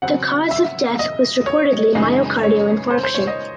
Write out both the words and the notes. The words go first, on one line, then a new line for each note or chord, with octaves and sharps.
The cause of death was reportedly myocardial infarction.
C#3 F#3 C4 F#5
E5
D#5
C#5
F#2 C#3 E3 G#3 D#4
C#5
C5
C5
C#5
D#5